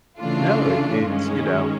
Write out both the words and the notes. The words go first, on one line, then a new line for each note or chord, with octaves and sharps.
No it it's you know,
C#3 E3 A3 D4 F4
G2 D#3 G#3 C#4